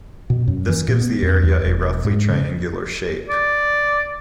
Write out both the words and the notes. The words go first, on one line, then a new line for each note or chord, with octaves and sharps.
This gives the area a roughly triangular shape.
B2
F#2
E3
A#2
B3
F2
E2
E1
G#2
C#3
D5